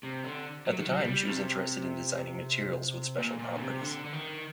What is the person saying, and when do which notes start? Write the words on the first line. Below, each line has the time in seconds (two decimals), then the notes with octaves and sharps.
At the time she was interested in designing materials with special properties.
0.03 C3
0.24 D3
0.66 F#3
0.80 D#3
0.88 F#3
0.97 G3
1.29 C3
3.19 A#2
3.39 A#2
3.56 D3
3.60 C3
3.81 D3
4.05 D3
4.13 D#3